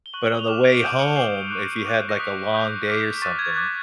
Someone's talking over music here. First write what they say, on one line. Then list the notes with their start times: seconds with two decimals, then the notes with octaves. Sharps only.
but on the way home, if you had, like, a long day or something,
0.06 G7
0.13 C#6 F#6 F#7
0.39 F7
0.48 D6 F6 E7
0.66 D7
0.75 D#7
0.82 D#6 G6 D7
1.00 C#7
1.16 D6 G6 C7
1.51 C#6 F#6
1.85 D6 F#6
2.09 A#6
2.19 D#6 F#6 B6
2.54 D#6 G6
2.88 D6 F6 B6
3.22 C#6 F#6 A6
3.39 G#6
3.56 D6 F#6 G#6